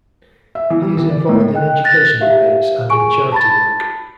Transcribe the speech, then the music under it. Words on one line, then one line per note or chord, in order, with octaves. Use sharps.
He is involved in education debates and in charity work.
E5
E3
G3
E3
D5
A2
D#5 G5 F#6
F#6 A6 A#6
G4 E5 F5
G#4 G#5 C#6 D7
A5 B5 A6